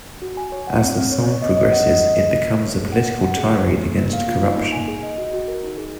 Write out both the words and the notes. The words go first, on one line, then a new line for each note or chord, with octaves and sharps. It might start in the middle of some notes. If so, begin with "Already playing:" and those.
As the song progresses, it becomes a political tirade against corruption.
F#4
G#5
C#5
F#5
C4
C4
C#5
C#5
D#5
D#5
F#5
D#5
D#5
G#4
A#3
A#3
C#5
G#4
F#5
A#3
F#5
G#4
G#4
G#4
A#3
A#3
F5
F4
D#4
A#3
G#5
G#4
D#5
F#4
F#4
A#4
D#4
G#4